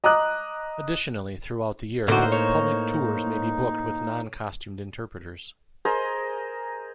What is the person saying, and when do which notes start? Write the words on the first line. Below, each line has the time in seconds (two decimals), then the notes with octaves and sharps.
Additionally, throughout the year, public tours may be booked with non-costumed interpreters.
0.04 D#5 A#5 D6 D#6 F#6
2.08 A2 D3 A#3 D#4 F#4 C5
2.32 C#5
5.85 G#4 A#4 C5 D#5